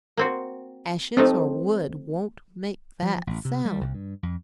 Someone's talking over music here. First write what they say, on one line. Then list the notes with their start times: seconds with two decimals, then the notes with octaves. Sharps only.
Ashes or wood won't make that sound.
0.17 A#3 C4 F#4
1.17 F3 A3 C4 D#4
3.02 F3
3.27 A1
3.45 C3
3.65 G3
3.81 C2
3.94 G2
4.23 F2